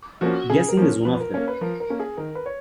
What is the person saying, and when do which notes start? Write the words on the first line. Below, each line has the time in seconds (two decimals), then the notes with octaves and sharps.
Guessing is one of them.
0.21 F3 A#3 C#4 F#4
0.50 C#3 G#4
0.68 A#4
0.77 F3 A#3 C#4
1.05 F3 B4
1.20 A#4
1.34 A#3 C#4 C#5
1.48 B4
1.61 F3 A#4
1.80 A#4
1.90 A#3 C#4
2.00 G#4
2.17 D#3 A#4
2.35 B4
2.46 C#5